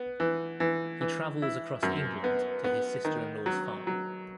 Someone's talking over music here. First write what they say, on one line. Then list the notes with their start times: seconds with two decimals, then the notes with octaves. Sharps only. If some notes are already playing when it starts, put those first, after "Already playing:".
He travels across England to his sister-in-law's farm.
Already playing: B3
0.20 E3
0.60 E3
1.01 E3
1.42 E4
1.83 F#2
2.24 B3
2.64 B3
3.05 D#3
3.46 F#3
3.87 F#3